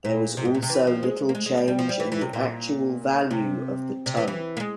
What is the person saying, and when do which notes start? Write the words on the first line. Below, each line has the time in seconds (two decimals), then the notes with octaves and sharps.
There was also little change in the actual value of the tun.
0.05 A#2
0.37 C3
0.45 G#2
0.55 A#2
0.62 C3
0.70 E3
0.87 F3
1.03 G#3
1.29 A#3
1.35 G#3
1.46 G#3
1.57 G3
1.68 G3
1.79 F3
1.89 G3
2.00 E3
2.12 E3
2.21 C3
2.33 A#2
3.31 C3
4.06 C3
4.17 E3
4.28 E3
4.57 A#3
4.60 G#3